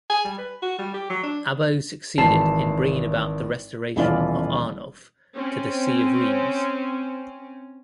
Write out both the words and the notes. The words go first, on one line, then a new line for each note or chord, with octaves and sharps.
Abbo succeeded in bringing about the restoration of Arnulf to the see of Reims.
G#5
G3
B4
F#4
G3
G4
F#3
D4
G#1 E3 A5 C7 E7
D#1 B2 E3 C#4 F4 D5
C4 C#4